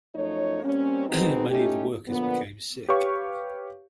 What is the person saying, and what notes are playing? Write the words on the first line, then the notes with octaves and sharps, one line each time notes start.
Many of the workers became sick.
F#2 F3 A3 D#4 C#5
G3 A#3 C4 C#4
B2 D#3 G#3 B3 C4 D#4
A3 C#4 D#4 G4
A#2 D3 F3 B3
G4 B4 C#5 F5 C#6